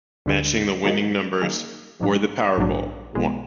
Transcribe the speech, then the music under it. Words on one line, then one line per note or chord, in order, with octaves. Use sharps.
Matching the winning numbers or the powerball won.
D2 D3 G#3
D#3 F#3 A#3 D#4 G#4
D#3 F#3 A#3 D#4 G#4
A#1 G#2 F#3 D4
A#1 G#2 F#3 D4
B1 B2 G#3